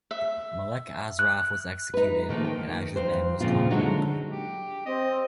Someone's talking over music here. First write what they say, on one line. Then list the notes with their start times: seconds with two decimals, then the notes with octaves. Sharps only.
Malek Asraf was executed, and Azerbaijan was conquered.
0.11 E5
1.19 F#6
1.94 D#4 B4
2.29 D3 D#3 F3 F#3 A3 A#3
2.44 D#3 G5
2.96 F2 C5
3.40 A#2 C#3 F3 C4 F4
3.71 D3 F#3 G#3 D#4 F#4
4.30 G4
4.86 C4 D#5